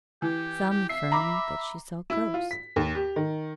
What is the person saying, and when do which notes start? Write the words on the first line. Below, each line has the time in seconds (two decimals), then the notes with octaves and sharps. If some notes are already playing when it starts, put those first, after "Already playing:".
Some affirm that she saw ghosts.
0.22 E3 G4
0.70 G4
0.89 E5 C7
1.12 A#5 B5 D6
2.10 E4
2.34 F4
2.51 B6
2.76 D#2
2.95 G4
3.16 D#3